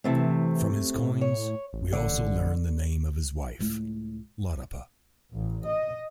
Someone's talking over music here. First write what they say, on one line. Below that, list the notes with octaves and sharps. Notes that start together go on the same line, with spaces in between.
From his coins we also learn the name of his wife, Iotapa.
C3 E3 A3 C4
A2
C#5
A1
D3
C#2 A2
A1
D#5